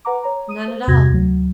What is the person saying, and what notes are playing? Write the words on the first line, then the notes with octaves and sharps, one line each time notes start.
"None at all."
B4 F#5 A#5 D6
C#5 A#5
D#6 D#7
C5
E2 G2 C3 F#4 G#6 A#6
D2 F#3